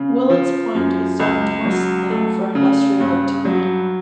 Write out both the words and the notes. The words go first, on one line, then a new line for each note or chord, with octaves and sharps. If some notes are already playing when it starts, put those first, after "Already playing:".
Willets Point is zoned mostly for industrial activity.
Already playing: C#3
F3
F#2
C#2
F#3
A3
C#3
G2
F#3